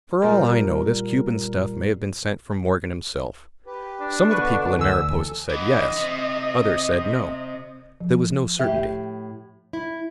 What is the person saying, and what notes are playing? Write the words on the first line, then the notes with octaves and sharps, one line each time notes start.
For all I know, this Cuban stuff may have been sent from Morgan himself. Some of the people in Mariposa said yes, others said no. There was no certainty.
A#2 G3 A#4
G4 B4
D4
B2 D3 B4 C#6
D2 E3 G#5 E6
A4
D3 E3 D#5
C3
F3
A2 G4 E5 G5
E4